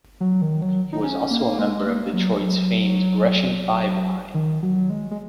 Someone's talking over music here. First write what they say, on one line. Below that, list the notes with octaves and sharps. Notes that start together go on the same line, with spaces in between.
He was also a member of Detroit's famed Russian Five line.
F#3
D#3
F#3
D#4
C#4
A#3
G#3
A#3
F#3
G#3
F#3
D#3
F#3
G#3
G#3